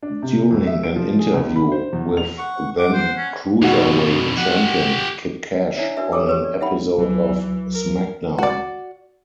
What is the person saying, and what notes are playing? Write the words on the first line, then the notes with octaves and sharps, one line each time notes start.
During an interview with then Cruiserweight Champion Kid Kash on an episode of SmackDown!
D4
C3
F2
E5
D7
F3
G#4
C#2
B5
C5
E2
F7
F#5 C#6
F#5 D6
C5
C#4
F2 B2 D#3 F#4
G4 F#5
D4 E4 C#5 D5 E5
D4 F#4 A#4 B4 D5 E5
G4 A4 C#5 G5 D6 E6
G4 B4 C#5
D5
D#4 E5 F#5 G5 B5
C#2 E3 F#3
A#4
F#4 D5